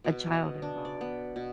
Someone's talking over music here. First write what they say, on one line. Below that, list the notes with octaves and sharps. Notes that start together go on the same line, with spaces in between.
a child involved.
B2
D#5
D4
D5
B3
B2